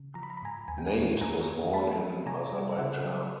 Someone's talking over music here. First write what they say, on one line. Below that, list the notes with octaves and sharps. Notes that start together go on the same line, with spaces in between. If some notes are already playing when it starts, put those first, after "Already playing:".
Nate was born in Azerbaijan.
Already playing: C#3
F3 A#5
B5
A#5
B5
G#2 G#5 A#5
D#2 G#5
G5
F#5 G#5
D#2
F2 G#5 A#5
F2
A3 A5 B5
F#3
C3 G#5 A#5
G3
C#3 E5 F#5
F#3